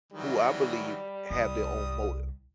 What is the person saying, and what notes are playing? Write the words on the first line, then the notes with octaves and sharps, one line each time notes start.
who I believe have their own motive.
D#3 E3 F#3 G3
C2 D#6